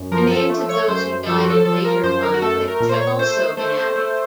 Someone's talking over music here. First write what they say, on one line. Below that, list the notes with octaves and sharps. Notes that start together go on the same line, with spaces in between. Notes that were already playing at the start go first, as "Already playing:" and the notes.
The names of those who died in later conflicts have also been added.
Already playing: F#2
F3 A#4
A4
A3
C#5
F#2 C5
F3 A4
F#4
A4
F3 A4
A#4
F#2 C5
A#4
F#4
A3 A4
A#4
A#2
C5
C#5
A3 C5
A3 C5
A3